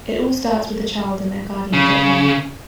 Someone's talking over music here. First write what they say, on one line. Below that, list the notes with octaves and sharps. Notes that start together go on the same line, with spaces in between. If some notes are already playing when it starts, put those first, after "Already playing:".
It all starts with the child and their guardians at home.
C#3